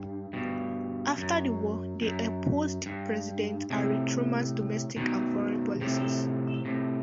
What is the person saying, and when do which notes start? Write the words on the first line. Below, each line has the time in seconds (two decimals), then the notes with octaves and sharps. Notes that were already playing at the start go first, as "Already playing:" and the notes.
After the war, they opposed President Harry Truman's domestic and foreign policies.
Already playing: G2
0.33 G2 B2
1.17 F#2
2.02 F#2
2.86 G2
3.70 A2 C3
4.96 B2 D#3
5.81 A2 C3
6.65 A2 C3